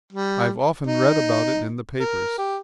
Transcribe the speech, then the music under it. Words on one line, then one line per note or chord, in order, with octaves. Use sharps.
I've often read about it in the papers.
G3
D#4
A#4
G4